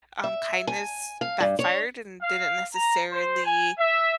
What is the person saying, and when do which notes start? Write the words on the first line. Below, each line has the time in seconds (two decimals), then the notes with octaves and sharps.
um, kindness backfired and didn't necessarily
0.24 E5
0.67 G#5
1.21 F5
1.40 G2
1.59 C#5
2.22 F5
2.75 A#5
3.12 C5
3.44 G#5
3.79 E5